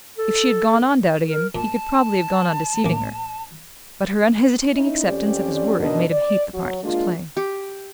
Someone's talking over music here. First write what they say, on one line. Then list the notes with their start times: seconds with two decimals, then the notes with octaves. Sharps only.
If she had gone on doubting him he could probably have gone on deceiving her; but her unhesitating acceptance of his word made him hate the part he was playing.
0.19 A4
1.27 A#4
1.55 A#2 A5
2.84 A1 A#3
4.74 C#4 D#4 E4
5.05 F2 C4 C#4 G4 D5
5.79 F#2 B2 D4 D#4 A#4 D#5
6.11 D5
6.54 F#3
6.84 G#3 A#3 D4 F4
7.37 G4